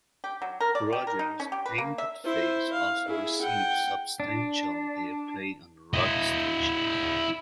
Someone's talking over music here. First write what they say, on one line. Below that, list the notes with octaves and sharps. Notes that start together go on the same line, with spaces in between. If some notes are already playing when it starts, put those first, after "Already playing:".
Rodgers' "Painted Face" also received substantial airplay on rock stations.
G4
F#3
A#4
D5
G4
A#4
D#4
C#4
G4
B4
A#3
E5
E4 C5
F5
E4 G#4
F#5 G5
D4
E4 D#5